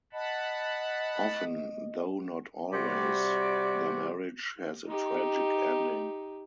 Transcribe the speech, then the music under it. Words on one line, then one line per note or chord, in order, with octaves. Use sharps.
Often, though not always, their marriage has a tragic ending.
D#5 F#5 A5 B5
C3 G3 F#4 D5
D#4 G4